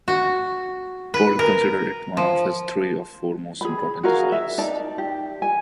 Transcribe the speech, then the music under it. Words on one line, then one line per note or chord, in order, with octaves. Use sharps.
Pearl considered it one of his "three or four most important" designs.
F#4
B4
A#4
F3
G#4 B5
F#4 G#4 A#4 F5
E5
D#4 D5 A5
G4
G#5